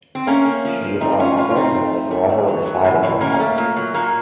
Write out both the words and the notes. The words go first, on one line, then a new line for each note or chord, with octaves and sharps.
She is our mother, and will forever reside in our hearts.
C4
A3 A#3 C#4
A3
F3
F3
A3 C4 D#4
A3 C#4 F4
A2 C#4 F4
F4
A3 C4 D#4
A3
A3
A3
A3
F#3
F#3
A2
A2
A3 A#3 C#4
A3
A#2
F#3
A#2 A#3